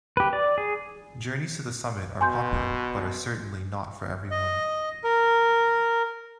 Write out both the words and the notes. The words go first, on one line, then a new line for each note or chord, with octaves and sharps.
Journeys to the summit are popular, but are certainly not for everyone.
G4 B4
D5
G#4
B2 G#5 C6 G6
D#5
A#4